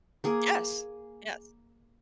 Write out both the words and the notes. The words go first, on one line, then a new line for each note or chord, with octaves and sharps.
Yes, yes.
A#3 G#4